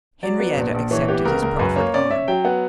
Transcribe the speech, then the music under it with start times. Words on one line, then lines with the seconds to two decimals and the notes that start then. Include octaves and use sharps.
Henrietta accepted his proffered arm.
0.23 F#3 D5
0.40 B3
0.57 A#1
0.74 A#1
0.91 E3 C#5
1.08 B3 G4
1.25 C#2 A#4
1.42 C#2 A#4
1.59 F#2 B4
1.76 A#3 C#5
1.94 C#4 D5
2.10 C#4 E5
2.28 F#3 G5
2.45 B3 F#5